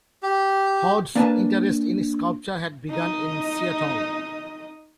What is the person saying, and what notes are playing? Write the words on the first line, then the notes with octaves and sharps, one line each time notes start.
Hord's interest in sculpture had begun in Seattle.
G4
A#3 D4 B4 G#5 A5
D#4 D#5